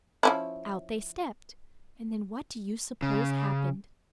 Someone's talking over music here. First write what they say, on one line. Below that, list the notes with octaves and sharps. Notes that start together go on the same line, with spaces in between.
Out they stepped, and then what do you suppose happened?
F3 C#4 E4
C#3